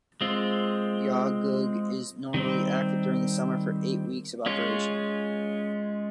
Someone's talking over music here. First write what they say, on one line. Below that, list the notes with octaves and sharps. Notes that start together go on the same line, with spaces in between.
Yawgoog is normally active during the summer for eight weeks of operation.
G#3 C4 F4
D#3 G3 C4
G#3 C#4 F4